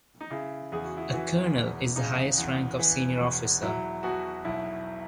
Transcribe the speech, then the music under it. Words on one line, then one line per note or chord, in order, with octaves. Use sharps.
A colonel is the highest rank of senior officer.
D#4
C#3 E4
E2 G#4
F#4
E4
E3 F#4
E1
C#3 D#4
E2
E3
E1
F#3 E4
B2 F#4
B1 E4